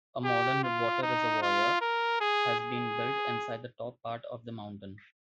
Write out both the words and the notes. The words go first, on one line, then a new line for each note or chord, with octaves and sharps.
A modern water reservoir has been built inside the top part of the mountain.
G4
F4
D#4
F4
A#4
G#4
G#4